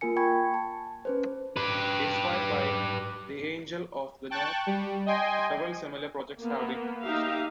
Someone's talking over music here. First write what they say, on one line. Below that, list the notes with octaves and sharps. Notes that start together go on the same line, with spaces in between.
Inspired by the "Angel of the North", several similar projects have been proposed.
A#3 F4 A#4 G#5 C#7
G5 G#5 B5 C#6 G#6
A5
C#4 B4 C5
G4 B4
G5 A5 C#6 F#6 A6
G3
D#5 G5 G#5 C6
A#3 B3
D#4 G4 E5 F5